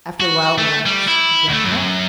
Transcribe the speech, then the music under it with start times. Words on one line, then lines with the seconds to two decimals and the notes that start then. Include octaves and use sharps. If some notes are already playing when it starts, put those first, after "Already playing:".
After a while the wax began to melt.
0.20 F#4
0.58 A3
0.86 G3
1.08 E4
1.49 D2 A3
1.65 F#2